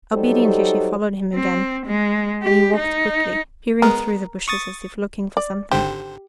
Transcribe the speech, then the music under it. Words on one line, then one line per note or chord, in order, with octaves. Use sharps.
Obediently she followed him again, and he walked quickly, peering through the bushes as if looking for something.
F#3 G3 D#4 G4 A4 C5
C4
G#3
G4
D#4
G#3 B3 A#4
C#6 D#6 A6
D5
G#1 D3 G4 C5